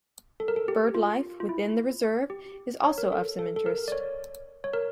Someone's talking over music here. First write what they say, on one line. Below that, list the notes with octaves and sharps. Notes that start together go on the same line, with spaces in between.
Bird life within the reserve is also of some interest.
A4
A#4
A4
G4
F4
F4
E4
G4
C#5
A#4
A4
A4
A4
A#4
D5
C#5
C#5
A#4